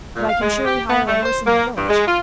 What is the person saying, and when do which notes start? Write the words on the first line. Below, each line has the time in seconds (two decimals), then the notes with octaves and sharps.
"But I can surely hire a horse in the village?"
0.15 A#2
0.28 F5
0.40 G#3
0.65 G4
0.88 B3
1.06 A3
1.21 C5
1.46 A#3
1.75 G2
1.87 G#3
2.06 F4